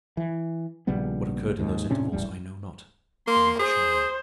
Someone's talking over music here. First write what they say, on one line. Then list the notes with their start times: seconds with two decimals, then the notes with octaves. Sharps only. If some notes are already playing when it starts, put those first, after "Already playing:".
What occurred in those intervals I know not, and never shall know.
0.17 E3
0.87 A#1 C#3 G3 B3
1.59 D#2 G#2
1.89 A2 C3 C#4 D4
2.12 E1 A1 E2 G3
3.27 A#3 C6
3.59 G#4 C5